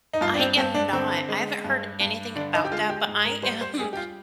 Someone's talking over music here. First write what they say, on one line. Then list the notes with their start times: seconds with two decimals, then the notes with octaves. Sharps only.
I am not. I haven't heard anything about that, but I am
0.13 D#4
0.21 G2 F4
0.34 D4
0.39 C4
0.57 G2 C4
0.74 D4
0.92 D3 C4
1.29 G#3
1.64 G2
2.00 G2
2.36 D3 D4
2.54 D#4
2.65 G4
2.72 G#3 F4
2.89 G4
3.07 G#2
3.25 A#4
3.43 G3 C5
3.61 C5
3.79 G3 G#4
3.93 G4
3.97 F4